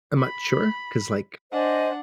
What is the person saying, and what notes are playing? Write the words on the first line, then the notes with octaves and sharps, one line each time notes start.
I'm not sure 'cause, like
B5
D4 C5 D#5 F#5 G#5